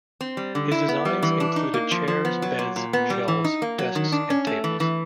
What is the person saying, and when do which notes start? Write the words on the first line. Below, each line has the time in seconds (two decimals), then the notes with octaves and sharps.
His designs included chairs, beds, shelves, desks and tables.
0.21 C4
0.37 G3
0.55 D3
0.71 E4
0.89 B3
1.05 G3
1.23 E3
1.40 D4
1.56 D#4
1.74 A#3
1.91 F3
2.08 F3
2.25 B3
2.42 F#3
2.59 A#2
2.76 A#2
2.93 B3
3.10 G3
3.28 E3
3.44 D#4
3.62 A#3
3.79 F#3
3.95 D#3
4.12 D4
4.30 C#4
4.47 A3
4.64 E3
4.80 E3